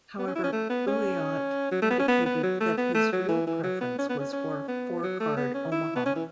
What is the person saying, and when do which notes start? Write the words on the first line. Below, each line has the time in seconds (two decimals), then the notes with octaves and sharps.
However, Ulliott indicated that his real preference was for four card Omaha.
0.18 B3
0.27 C#4
0.35 E4
0.44 C#4
0.53 A3
0.70 B3
0.87 C#4
1.71 F#3
1.82 A3
1.91 B3
2.00 C#4
2.08 B3
2.26 B3
2.43 F#3
2.60 A3
2.77 B3
2.95 A3
3.13 F#3
3.29 E3
3.47 E3
3.63 F#3
3.81 B3
3.99 C#4
4.09 B3
4.19 C#4
4.33 C#4
4.68 B3
5.03 F#3
5.20 A3
5.37 B3
5.54 C#4
5.72 E4
5.96 B3
6.06 C#4
6.15 E3